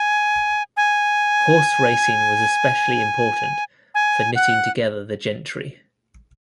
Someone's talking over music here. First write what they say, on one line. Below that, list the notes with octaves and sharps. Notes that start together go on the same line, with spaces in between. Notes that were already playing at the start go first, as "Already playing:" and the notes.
Horse racing was especially important for knitting together the gentry.
Already playing: G#5
G#5
G#5
F#5